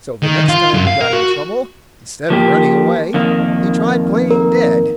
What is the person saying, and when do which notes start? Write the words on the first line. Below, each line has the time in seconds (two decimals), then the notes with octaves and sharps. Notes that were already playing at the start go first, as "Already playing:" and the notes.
So the next time he got in trouble, instead of running away, he tried playing dead.
0.23 D#3
0.49 F4
0.74 F#2
0.87 F5
1.01 A#4
1.13 F#4
2.30 F3 A#3 G4
3.14 F2 D#3 A#3
4.31 A#4